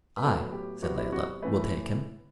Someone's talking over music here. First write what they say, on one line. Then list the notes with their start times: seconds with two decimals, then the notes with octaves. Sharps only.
"I," said Layelah, "will take him."
0.17 B4
0.23 A2 F#3 B3 A4
0.52 G4
0.82 C3 F#3 B3 F#4
0.97 E4
1.12 F#4
1.42 A2 E3 A3 B4